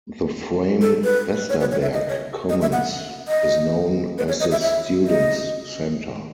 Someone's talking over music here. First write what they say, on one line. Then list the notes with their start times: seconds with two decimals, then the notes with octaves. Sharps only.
The Frame-Westerberg Commons is known as the students center.
0.81 A4
1.04 B4
1.50 C#5
1.60 B4
1.71 C#5
1.82 E5
1.93 D#5
2.09 C#5
2.49 D#5
2.62 E5
2.72 F#5
3.28 D#5
4.18 B4
4.28 C#5
4.40 D#5
4.52 E5
4.62 E5
5.08 D#5